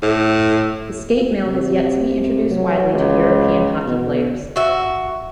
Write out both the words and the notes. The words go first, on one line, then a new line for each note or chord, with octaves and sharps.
The skatemill has yet to be introduced widely to European hockey players.
A2
C3
F#3
C#2
B2
F#4 E5